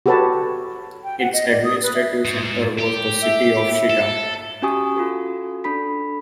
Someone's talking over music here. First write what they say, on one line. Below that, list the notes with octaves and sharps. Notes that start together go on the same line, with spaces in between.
Its administrative center was the city of Chita.
F#4 G4 A4 B4 C#5 A5
G5
F#5
D#5
D5
D#6
B4
E5
G#2
G4
E5
A4
C#4 F#4 G4 G#5 C#6 D#6
F4 F#4 A4
D4 A4 B5 B6